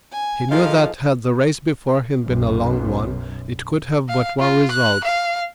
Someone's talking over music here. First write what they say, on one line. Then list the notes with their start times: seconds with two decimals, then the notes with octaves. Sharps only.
He knew that, had the race before him been a long one, it could have but one result.
0.11 G#5
0.50 A#2 F3 D#4 G#4 A4 F5
2.26 B1 F#2
4.09 F5
4.40 F4
4.71 F#6
5.04 F5